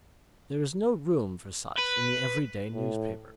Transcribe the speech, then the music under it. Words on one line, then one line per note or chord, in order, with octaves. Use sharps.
There is no room for such in the everyday newspaper.
B4
A2